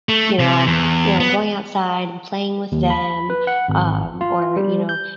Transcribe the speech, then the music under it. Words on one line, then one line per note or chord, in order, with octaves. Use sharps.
you know, I'm, you know, going outside and playing with them, um, or, you know,
A3
C3
E2
B3
D#2
B5
B4
F#5
G#1
F4
G3
G6